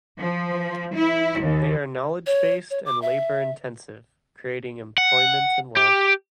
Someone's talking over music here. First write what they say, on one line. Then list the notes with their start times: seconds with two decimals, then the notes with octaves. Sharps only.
They are knowledge-based and labour-intensive, creating employment and wealth.
0.20 F3
0.97 E4
1.40 D#2
2.27 C#5
2.70 C#5
2.86 D6
3.02 E5
4.98 F#5
5.77 G4